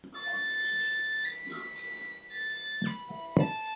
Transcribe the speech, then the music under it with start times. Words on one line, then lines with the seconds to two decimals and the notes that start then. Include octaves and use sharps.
Did you lose the argument to a man or a woman?
0.17 A6
1.25 B6
2.32 A6
2.87 B5
3.40 A5